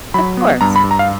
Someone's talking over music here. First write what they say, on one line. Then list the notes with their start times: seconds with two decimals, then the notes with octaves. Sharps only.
Of course.
0.14 F#3 B5
0.37 B3
0.61 G2 A#5
0.76 B5
0.84 G2
0.91 A#5
0.99 F5